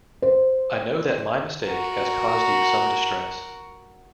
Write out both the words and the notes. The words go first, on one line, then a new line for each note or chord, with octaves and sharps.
I know that my mistake has caused you some distress.
C5
F#4 A#4